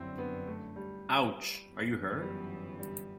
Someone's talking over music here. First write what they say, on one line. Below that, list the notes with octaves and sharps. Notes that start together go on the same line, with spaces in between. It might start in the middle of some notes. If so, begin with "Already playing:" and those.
Ouch! Are you hurt?
Already playing: G1 F#2 D3 C4 E4
B3
A3
G3
G1 F#2 E3 B3
G3
G3